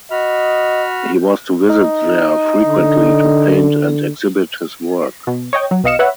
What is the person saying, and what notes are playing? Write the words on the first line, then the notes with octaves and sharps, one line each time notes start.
He was to visit there frequently to paint and exhibit his work.
F#4 D#5 B5 F6
D#4
D3
B2
C#5 D#5 G5
F#3
B1 B2 D#5 F5 C#7 E7
B4 C#5 E5 F#5